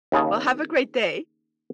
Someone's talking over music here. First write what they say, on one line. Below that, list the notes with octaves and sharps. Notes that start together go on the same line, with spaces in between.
Well, have a great day.
D#2 C#3 G#4 A5